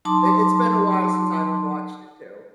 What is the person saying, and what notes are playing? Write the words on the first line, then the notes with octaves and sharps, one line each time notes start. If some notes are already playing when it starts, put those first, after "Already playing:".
I It's been a while since I've watched it too.
F#3 D#4 A5 C6 D6